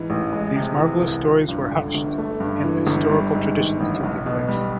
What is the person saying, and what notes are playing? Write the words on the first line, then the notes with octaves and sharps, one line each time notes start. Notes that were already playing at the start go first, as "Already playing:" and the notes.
These marvelous stories were hushed and historical traditions took their place.
Already playing: G#2 E3
A1
G#3
C3
E3
C2
F3
G2
D3
G1
A3
G2
E3
G1
G3
G#2
D#3
A1
B1
B2
G3